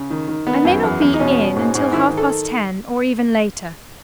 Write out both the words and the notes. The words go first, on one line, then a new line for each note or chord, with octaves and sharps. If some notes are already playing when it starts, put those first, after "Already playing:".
I may not be in until half-past ten, or even later.
Already playing: C#3
D#3
D#3
D#3 B3
F#2
E2
E2
D#4
B2 C#4
B2
G#2
G#2
D#3 E4
D#3
A4